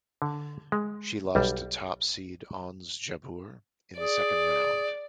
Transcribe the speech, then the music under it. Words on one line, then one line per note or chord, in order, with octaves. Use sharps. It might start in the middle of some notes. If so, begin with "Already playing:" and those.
She lost to top seed Ons Jabeur in the second round.
D3
G#3
B1 G3
G#4 D5